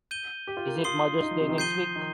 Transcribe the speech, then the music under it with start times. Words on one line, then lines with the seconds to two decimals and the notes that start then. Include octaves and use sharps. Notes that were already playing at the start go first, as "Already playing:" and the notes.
Is it Mother’s Day next week?
0.11 G6 D#7 G7
0.47 G4
0.57 F4
0.66 A#4
0.75 G4
0.84 F4 C6 D#6 C7 G7
1.22 D#4
1.31 F3
1.40 C3
1.49 D#3
1.58 F3 G6 C7 D#7 G7
1.96 D#3